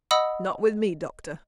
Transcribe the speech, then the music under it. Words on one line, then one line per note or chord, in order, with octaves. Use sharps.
'Not with me, Doctor.
D#5 F#5 B5 D#6 E6